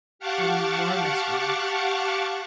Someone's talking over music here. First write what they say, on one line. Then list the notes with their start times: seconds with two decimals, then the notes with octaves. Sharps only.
"An enormous one."
0.19 G4 F5 F#5 A5 C#6 D6